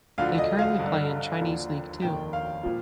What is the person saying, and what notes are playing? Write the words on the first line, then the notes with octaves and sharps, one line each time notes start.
They currently play in Chinese League Two.
D2 D3 F3 F5
D#5
F5
G1 G2 D3
D#2 D3 F3
F1 D#2 D#3 G5
F5
A#2 F3